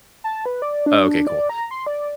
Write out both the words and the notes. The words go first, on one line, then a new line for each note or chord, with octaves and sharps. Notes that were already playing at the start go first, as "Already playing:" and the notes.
Oh okay, cool.
A5
B4
D5
D4
D5
A#5
C6
D5